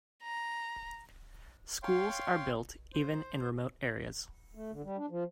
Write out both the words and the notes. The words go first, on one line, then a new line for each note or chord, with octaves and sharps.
Schools are built even in remote areas.
A#5
C#5 F5 G5 C6
C5
A3
D3
G3
D4
F3